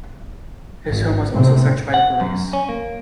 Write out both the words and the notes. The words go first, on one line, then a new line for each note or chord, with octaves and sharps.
His home was also searched by the police.
G#1
A2 C3 C4
F#5
F#2
C#4
A#3